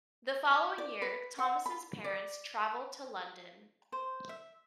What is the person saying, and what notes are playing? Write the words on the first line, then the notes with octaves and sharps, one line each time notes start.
The following year, Thomas' parents traveled to London.
D#5
D5
B4
F#5
B5
D5
C5
E5